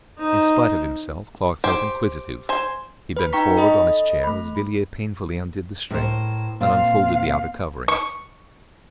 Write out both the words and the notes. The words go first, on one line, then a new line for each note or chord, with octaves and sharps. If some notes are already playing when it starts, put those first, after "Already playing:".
In spite of himself Clarke felt inquisitive; he bent forward on his chair as Villiers painfully undid the string, and unfolded the outer covering.
D#4 C5
G4 C5 G#5
C5 G#5
B4 B5
D#4 G5 A#5 C#6 B6
A4 D#5 B5
A3 B5
A2 A#4 C5
A#2 C4 F5
C#6